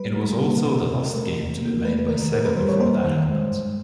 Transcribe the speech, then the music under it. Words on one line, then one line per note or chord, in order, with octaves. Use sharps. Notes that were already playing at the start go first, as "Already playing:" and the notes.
It was also the last game to be made by Sega before that happened.
Already playing: G3 B4
G3
A#3
B2
C3 A#4
A3
C3
A#3
A3 B4
D#3 A#4
A#2 A#4
B4
G3 C5
C#5
A#3 C5
D#3
G#3
G2